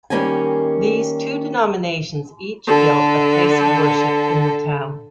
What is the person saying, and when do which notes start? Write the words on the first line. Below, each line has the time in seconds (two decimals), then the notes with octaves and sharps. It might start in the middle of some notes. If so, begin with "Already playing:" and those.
These two denominations each built a place of worship in the town.
0.10 D#3 G3 A#3 C#4 D#5 G#5
2.67 D3 A4